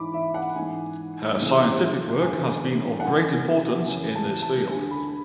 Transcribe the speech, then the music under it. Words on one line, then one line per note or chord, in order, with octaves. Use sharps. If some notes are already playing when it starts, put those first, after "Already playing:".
Her scientific work has been of great importance in this field.
Already playing: G#2 E3 B5 D6
E5
F#5
G#2 E3 G#5
C#2 C#3 E3
E2 D3 G#5
F#5
F#2 E3 G#5
F#2 C#3 E3 G#5
A5
A5
D2 D3 G#5
B5